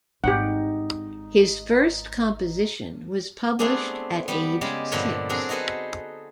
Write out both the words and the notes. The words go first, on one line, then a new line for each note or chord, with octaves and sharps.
His first composition was published at age six.
G#1 D#4 G4 F#5
A3 B3 C4 D4 G4 G#4
G3 B3 G4
C#3 G#3 G4 G#4
G2 A#2 D3 F3 G3 G4
F#3 C4 D4 G#4 A#4
D#4 F#4 G#4 A4 B4 C5